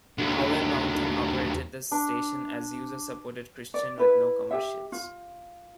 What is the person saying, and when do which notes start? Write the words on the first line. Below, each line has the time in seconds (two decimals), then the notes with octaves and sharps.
Howell Mountain operated the station as "user supported Christian" with no commercials.
0.18 D#2 D3
1.91 D4
3.74 D5
3.98 E4 B4
4.51 G4 E5
4.92 F4